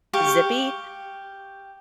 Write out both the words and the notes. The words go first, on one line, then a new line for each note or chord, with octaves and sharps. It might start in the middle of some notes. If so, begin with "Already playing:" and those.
eh, zippy.
G4 F5 C#6